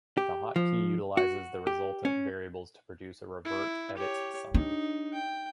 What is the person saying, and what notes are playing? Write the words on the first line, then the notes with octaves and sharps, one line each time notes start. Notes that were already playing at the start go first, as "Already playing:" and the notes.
The hotkey utilizes the resultant variables to produce a revert edits summary.
G4
F3
F#4
G4
C#4
E4
G4 C#5
D4 D#4
G5